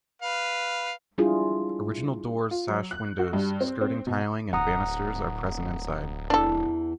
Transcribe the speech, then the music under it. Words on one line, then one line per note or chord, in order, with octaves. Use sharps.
Original doors sash windows skirting tiling and banisters are present inside.
B4 F5
G3 D4 E4 F4 G#4
F4
F#3
F#6
F#4
G2
C4
C4
B2
D1 F#5 A#5 D#6
E2 E3 D4 A4